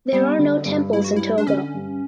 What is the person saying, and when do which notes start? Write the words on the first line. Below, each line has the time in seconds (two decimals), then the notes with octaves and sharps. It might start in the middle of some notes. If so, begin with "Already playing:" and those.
There are no temples in Togo.
0.13 G3 B3
0.39 D3
0.66 G2
0.93 G2 E4
1.04 F#4
1.16 G3 E4
1.38 D4
1.47 D3 C#4
1.74 G2